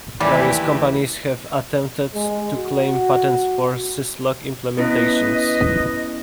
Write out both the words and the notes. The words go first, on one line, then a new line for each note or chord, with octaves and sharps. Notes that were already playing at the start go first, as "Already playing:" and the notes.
Various companies have attempted to claim patents for syslog implementations.
D#2 E3 G3 A3 E4 G4 B4
G#3
F#4
B3 C#4 E4 B4 D#5